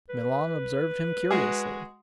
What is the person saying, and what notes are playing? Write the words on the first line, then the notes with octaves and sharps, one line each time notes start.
Milon observed him curiously.
B4
G#3 F#4 G#4